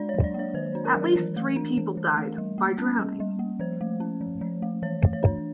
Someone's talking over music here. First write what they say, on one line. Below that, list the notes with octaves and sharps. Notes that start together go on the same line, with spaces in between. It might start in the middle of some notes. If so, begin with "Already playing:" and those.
At least three people died by drowning.
Already playing: G#3 D4 D5
C#5
F#3
D5
A#3 C#5
D#3 C5
D4
A#4
F#3
E3
A3
D4
E3
E3
A3
G3
A#3
C#4
G3
G3
A#3
F3 C5
A3
C#4
F3
F3
A3
E3 C#5
A3
C#5
D4